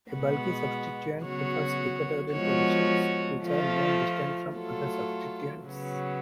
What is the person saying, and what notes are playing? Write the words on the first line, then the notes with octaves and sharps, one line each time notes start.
A bulky substituent prefers equatorial positions, which are more distant from other substituents.
B2 G#3 B3 F#4
C#3 F#3 B3 F#4 C#5
F3 G#3 B3 F#4 C#5
F3 A3 F4
F#3 A3 F4 A4
C#3 F#3 B3